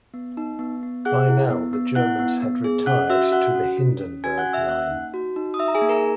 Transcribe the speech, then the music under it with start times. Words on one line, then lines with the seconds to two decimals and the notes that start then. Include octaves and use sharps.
By now the Germans had retired to the Hindenburg Line.
0.14 B3
0.37 D#4
0.59 B3
0.83 B3
1.05 G#4 F#5 F#6
1.28 E4
1.50 B3
1.73 B3
1.95 E4 F#5 F#6
2.19 B3
2.42 B3
2.64 G#4
2.86 C#4 F#5 F#6
3.10 F#4 E5 E6
3.32 F#4 F#5 F#6
3.55 C#4
3.77 C#4
4.01 C#4
4.24 F#4 G#5 G#6
4.38 F#5 F#6
4.46 C#4
4.53 E5 E6
4.68 A#3 F#5 F#6
4.91 D#4
5.14 F#4
5.36 D#4
5.54 D#6
5.59 D#4 E5 E6
5.68 A#5
5.74 G#4 G#5
5.82 A#3
5.89 A#4 A#5